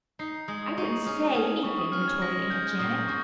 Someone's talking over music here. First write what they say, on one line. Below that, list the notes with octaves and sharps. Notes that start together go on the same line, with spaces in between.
"I wouldn't SAY anything," retorted Aunt Janet.
D#4 C7
G#3 D#6
D#6
D#4 C#6
D#6
C#4 D#6
C#4 D#6
G3 C#6
D#6
C#4 F6
G#6
G#3 A#6
G#3 G6
A#2 D#6
A#2 C#6